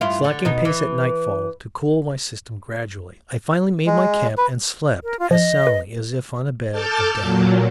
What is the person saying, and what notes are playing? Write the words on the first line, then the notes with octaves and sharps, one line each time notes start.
Slackening pace at nightfall to cool my system gradually, I finally made my camp and slept as soundly as if on a bed of down.
G2 E4 F4
D3
B2 D#4
E3
G#3
B4
A#4
F4
F3 D#5
B4
A4 A5 D6 F6 G6 A6
A#2 F#3